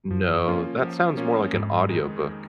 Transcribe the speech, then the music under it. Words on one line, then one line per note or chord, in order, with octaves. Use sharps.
No, that sounds more like an audiobook
F#2 F3
A#3 C#4 F4
F3
A#3 C#4 F4
F2 G#2
D#3 G#3 D#4 G#4